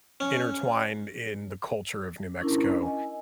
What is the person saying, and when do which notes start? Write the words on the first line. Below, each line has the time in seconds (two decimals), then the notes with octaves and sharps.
intertwined in the culture of New Mexico
0.20 C#4
2.41 C#4 D4 E4 A#4
2.82 D#5 G#5